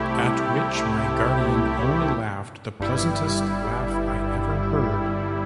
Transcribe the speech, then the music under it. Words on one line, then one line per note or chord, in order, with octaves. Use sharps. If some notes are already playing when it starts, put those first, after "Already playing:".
At which my guardian only laughed the pleasantest laugh I ever heard.
Already playing: C2 C3 A3 E4 G4
G1 G2 G3 E4